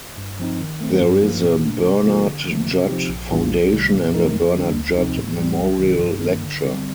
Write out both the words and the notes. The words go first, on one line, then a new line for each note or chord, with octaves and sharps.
There is a Bernard Judd Foundation and a Bernard Judd Memorial Lecture.
G2
F3 C4 D#4
D#3
A3 C4
G2
F3 A#3
A#2
A3 D4
C3
F3 A#3 F4 A4
D3
F3 A3
C3
F3 C4 D#4 G4
A#1
A2 G3 D4 F4
C2
C3 D#3 G3
A#2
F3 A3 D#4 A#4
F2
D3 G3 D4
D2
C3 F3 C4 D#4
A2
G3 C4
C2
C3 D#3
G2
D#3 A#3
D3
G3 C4